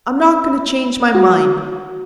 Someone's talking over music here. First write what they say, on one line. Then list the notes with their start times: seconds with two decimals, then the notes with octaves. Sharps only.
I'm not going to change my mind.
1.15 F#4